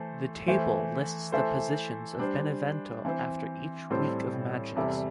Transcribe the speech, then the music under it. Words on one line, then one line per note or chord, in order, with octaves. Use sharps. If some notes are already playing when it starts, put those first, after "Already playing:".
The table lists the positions of Benevento after each week of matches.
Already playing: E3 A3 A4 C5
E3 A3 E4 C5
E3 A3 E4 A4 C5
G3 D4 C5
E3 C4 E4 C5
A2 G3 C4 A4 C5
E2 C3 G3 E4 A4